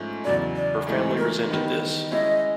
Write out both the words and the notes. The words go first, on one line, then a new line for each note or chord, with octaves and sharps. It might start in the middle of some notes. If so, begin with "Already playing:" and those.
Her family resented this.
Already playing: G#2 F3 A3 C#4
E2 C#3 F#3 D5
D5
G#2 E3 A3
A#4
D#3 G3 B3 D#4
G#3 C#4 E4 D#5